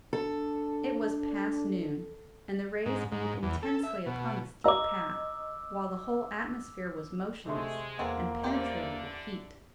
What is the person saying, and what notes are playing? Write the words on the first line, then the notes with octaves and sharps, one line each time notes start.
It was past noon, and the rays beat intensely upon the steep path, while the whole atmosphere was motionless, and penetrated with heat.
D4 A4
G#2
G#2
E2
A4
E5
B2
D#5 A#5 D6 E6
C3 G#3 A3 C6
E2 A#3 C4 F#4 A4
D3 E3 G4 C5 D5